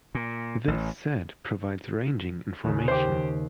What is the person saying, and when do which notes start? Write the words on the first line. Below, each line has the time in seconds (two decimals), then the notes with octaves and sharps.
This set provides ranging information.
0.15 A#2
0.68 A1
2.64 D#2 C#3
2.88 G4 C5